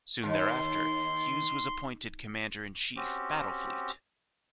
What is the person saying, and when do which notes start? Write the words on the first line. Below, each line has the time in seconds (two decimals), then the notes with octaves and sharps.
Soon thereafter, Hughes was appointed Commander in Chief, Battle Fleet.
0.24 D#2 C6
2.96 C4 C#4 F#4 G4